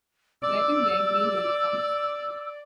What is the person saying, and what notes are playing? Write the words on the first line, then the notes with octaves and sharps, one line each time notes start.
Welpen wear green uniforms.
D5 E6